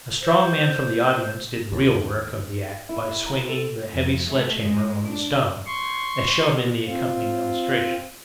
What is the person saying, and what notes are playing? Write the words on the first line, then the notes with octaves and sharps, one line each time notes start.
A strong man from the audience did the real work of the act by swinging the heavy sledge-hammer on the stone, as shown in the accompanying illustration.
C5
D#2
E4
A#5
A4
F2
A3
G#3
D4
C6 C#6
C4 F4